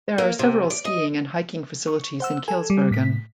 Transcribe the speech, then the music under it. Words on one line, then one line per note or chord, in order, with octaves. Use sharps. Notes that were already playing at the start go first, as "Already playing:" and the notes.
There are several skiing and hiking facilities in Kilsbergen.
A#3
C3
D5
D#5
C#6
C5 F#5 E6
A4 G#5
G3
A2 B6